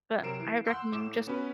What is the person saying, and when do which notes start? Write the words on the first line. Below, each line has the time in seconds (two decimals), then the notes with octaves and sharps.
But I would recommend just
0.22 C3 F#3 A#4 C7 D7 E7
0.40 E3
0.67 F#5 C6 E6 G6
0.92 A2 D6 E7
1.27 B3 C#4 F#4 B4